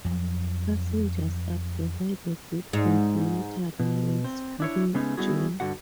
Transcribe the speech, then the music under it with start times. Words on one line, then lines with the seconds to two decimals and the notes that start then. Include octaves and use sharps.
Passengers are provided with complimentary meals during the journey.
0.05 F2 F3 F#3
2.73 G#2
3.80 B2
4.24 C4
4.60 D4 E4 C#5
4.94 C#3 G#3 A3 B3 C#4 D#4
5.17 G3 A3 B3 E4 F#4 G#4
5.60 G2 D3 F#4 F#5